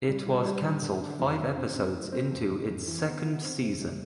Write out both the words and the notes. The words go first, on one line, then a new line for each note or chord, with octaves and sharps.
It was canceled five episodes into its second season.
G3
G3
G3
D3
D3
D4
F2
F2
C4
C4
A2
C4
F2
F2
F2
E3
B3
E4
C4
C3
G3